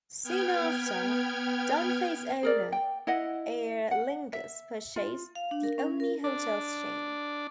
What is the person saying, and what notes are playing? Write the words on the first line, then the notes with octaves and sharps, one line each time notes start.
Soon after, Dunfey's owner, Aer Lingus, purchased the Omni Hotels chain.
B3 G5 F6 G#6
G#4 A#4 D5
G5
E4 D#5 F#5
F#5
E5
F4
F5
D4
A#4
C#4
A#4
D4